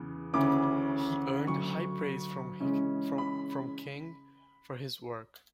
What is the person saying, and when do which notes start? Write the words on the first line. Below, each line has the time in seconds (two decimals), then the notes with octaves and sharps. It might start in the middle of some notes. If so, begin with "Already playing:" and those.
He earned high praise from King for his work.
Already playing: E2 C#3 B3
0.33 D2 C#3 E3 A3 C#4 D6
1.47 D2 D3 F#3 C#6
2.60 C#3 E3 G#3 C#4
3.18 B5